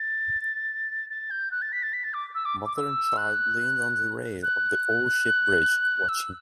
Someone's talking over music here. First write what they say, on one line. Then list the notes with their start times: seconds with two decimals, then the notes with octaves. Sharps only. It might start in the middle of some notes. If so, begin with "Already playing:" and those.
Mother and child leaned on the rail of the old sheep-bridge, watching.
Already playing: A6
1.10 A6
1.31 G6
1.51 F#6
1.62 A6
1.73 B6
1.83 A6
1.93 B6
2.04 A6
2.14 D6
2.35 E6
2.45 D6
2.66 D6
2.76 E6
3.17 F#6
4.43 F#6
6.09 E6